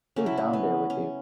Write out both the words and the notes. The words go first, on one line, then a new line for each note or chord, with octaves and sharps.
Who's down there with you?
C#3 F#3 A3 C#4
E4
C#4
B3
C#4